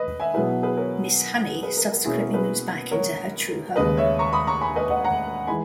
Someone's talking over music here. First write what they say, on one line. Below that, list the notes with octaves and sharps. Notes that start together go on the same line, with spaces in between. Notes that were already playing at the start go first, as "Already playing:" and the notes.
Miss Honey subsequently moves back into her true home.
Already playing: B4 D#5
E5 G#5
B2 F#3 B3 E4 G#4 B4
G#4 B4
A#4 C#5
G#4 B4
A#4
A#4
B2 A#3 C#4 E4 G#4
A#4
G#4 B4
A#4 C#5
D#2 C#3 G#3 B4 D#5
C#5 E5
A#5 C#6
B5 D#6
A#5 C#6
G#5 B5
B4 D#5
D#5 F#5
F#5 A#5
E3 G#3 D#4 G#5 B5